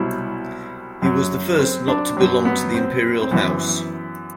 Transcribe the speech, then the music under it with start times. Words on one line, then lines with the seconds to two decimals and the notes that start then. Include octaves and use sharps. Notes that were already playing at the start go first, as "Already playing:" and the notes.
He was the first not to belong to the Imperial house.
Already playing: C2 B2 F#3 E4
1.02 F#2 F#3
1.59 C4
1.88 D4
2.17 F#2 F#3
2.45 B3
2.74 C4
3.22 C4
3.31 F#2 E3 B3